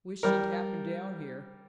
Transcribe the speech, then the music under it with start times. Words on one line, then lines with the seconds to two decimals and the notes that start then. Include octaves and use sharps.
Wish she'd happen down here.
0.23 G3 A#4